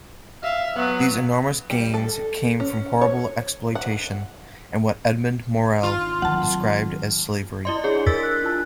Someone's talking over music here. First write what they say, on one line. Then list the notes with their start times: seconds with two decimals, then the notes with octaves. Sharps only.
These enormous gains came from horrible exploitation, and what Edmund Morel described as slavery.
0.43 E5 F5
0.76 F#3 B3
1.70 G3
1.94 A4
2.60 C#4
3.01 C#5
3.75 F#5
5.83 G#1 F4
6.22 D#3 F#3 F#5 A5
7.65 E4 D5 D#5 C6
7.84 D4 E4 G#4 C#5
8.06 A#4 E6 A6 B6
8.23 F#6
8.42 D4 F4 A5